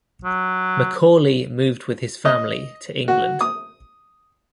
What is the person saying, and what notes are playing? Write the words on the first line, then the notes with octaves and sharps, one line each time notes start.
Macaulay moved with his family to England.
F#3
D#5
F#4
D#6